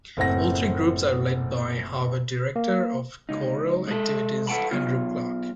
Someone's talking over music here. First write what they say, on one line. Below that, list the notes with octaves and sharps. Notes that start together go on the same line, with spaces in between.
All three groups are led by Harvard Director of Choral Activities Andrew Clark.
F#1 A2 C4 F#5 A#6
A#3
C#2 D#4
G#3 A4
A4 B4 F#5 G5 A5 B5
F#3 B3 F4